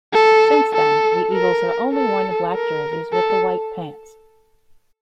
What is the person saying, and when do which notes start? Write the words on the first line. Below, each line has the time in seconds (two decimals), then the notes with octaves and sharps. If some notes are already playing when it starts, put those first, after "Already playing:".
Since then, the Eagles have only worn the black jerseys with the white pants.
0.13 A4
0.74 A4
1.33 A#4
1.93 A4
2.53 A#4
3.13 A4